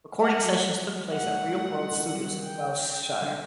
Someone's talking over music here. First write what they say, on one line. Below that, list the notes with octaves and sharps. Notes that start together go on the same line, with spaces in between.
Recording sessions took place at Real World Studios in Wiltshire.
A3 F#5
F#3
A3
G3
F#3
G3
F#3 F#5
A3
G3
A3 F#5
G3
D3
D#3
G3
F#3
D#3
G5
G5
D3